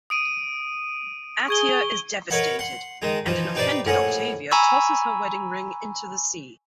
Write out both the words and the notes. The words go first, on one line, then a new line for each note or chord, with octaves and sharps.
Atia is devastated, and an offended Octavia tosses her wedding ring into the sea.
D#6 D7 D#7
G#4 C#6 G#6 G7
A#4 B4 C#5 D#5 F#5 B5
F#5 C6
D#3 G#3 D#4
E3 F3 D#4
D#4 G4 B4 C5 D5
A#1 A2 C#4 F#5 D#6
G#5 A#5 B5 C#6 E6